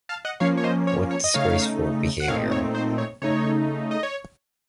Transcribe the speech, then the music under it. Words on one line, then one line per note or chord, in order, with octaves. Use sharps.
What disgraceful behaviour!
F5 A5
D#5 F#5
F3 A#3 C#4 C#5 F5
C#5
C5 D#5
C#5
C#5
D#5
C#3 A3 D#4 C#5 F5
F#5
A#2 A3 C4 D#4 C#5 F5
C#5
C5
C#5
C#3 A3 D#4 C#5
D#5
C#5